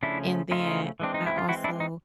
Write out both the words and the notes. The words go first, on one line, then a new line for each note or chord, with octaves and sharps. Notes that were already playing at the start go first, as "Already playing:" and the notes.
And then I also,
C#3 F3 A3 C#4 D4 E4
C#3 F3 A3 C#4 D#4 F4
E3 G#3 C4 D4
D#4
E4
F4
E3 G#3 C4 E4 F#4
D4 E4
D#4